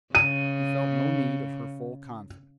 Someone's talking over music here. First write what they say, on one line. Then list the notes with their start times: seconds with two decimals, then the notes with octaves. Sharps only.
He felt no need of her full confidence.
0.15 C#3 D#7